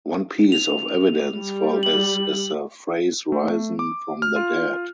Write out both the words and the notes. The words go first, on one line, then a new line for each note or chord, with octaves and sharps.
One piece of evidence for this is the phrase risen from the dead.
F7
G3
F#7
A3
D6
F6
F4